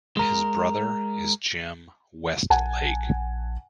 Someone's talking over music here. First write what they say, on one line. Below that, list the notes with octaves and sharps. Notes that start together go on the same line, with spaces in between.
His brother is Jim Westlake.
G#3 A#4
A#1 F#5 G#5 A5